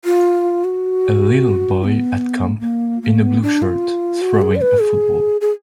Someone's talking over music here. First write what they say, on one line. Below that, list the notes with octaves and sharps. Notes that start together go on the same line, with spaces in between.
A little boy at camp, in a blue shirt, throwing a football.
F4
F#4
B3
A#3
A#3
A#3
B3
D4
F4
F#4
G#4
D5
B4
G#4
G#4